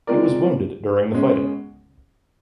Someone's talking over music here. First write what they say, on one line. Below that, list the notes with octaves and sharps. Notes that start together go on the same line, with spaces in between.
He was wounded during the fighting.
G#3 C4 F4 A#4 D5
B2 G#3 C#4